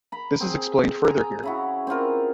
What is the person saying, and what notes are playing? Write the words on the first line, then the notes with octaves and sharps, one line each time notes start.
This is explained further here.
A#5 B5
C4 G#4
G#5 A#5
C#3 E4 F#4
C4 C#4 F4 A#4